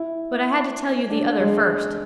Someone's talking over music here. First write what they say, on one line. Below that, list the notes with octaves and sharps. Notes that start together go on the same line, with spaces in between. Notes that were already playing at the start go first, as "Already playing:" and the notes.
But I had to tell you the other first.
Already playing: E4
D4
G#3